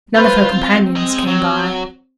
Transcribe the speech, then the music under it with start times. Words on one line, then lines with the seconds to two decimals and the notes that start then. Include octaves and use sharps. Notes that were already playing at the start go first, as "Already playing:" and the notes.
None of her companions came by.
0.16 F4 B4 C5
0.55 C4
0.96 G#3 D#5
1.27 F#3